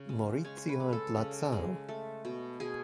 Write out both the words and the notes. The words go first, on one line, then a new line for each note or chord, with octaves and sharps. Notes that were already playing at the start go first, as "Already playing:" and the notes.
Maurizio and Lazzaro.
Already playing: C#3
G#3
G#3 C#5
B4
G#3
A4
C#3
G#3
A3
B2
B2 G#4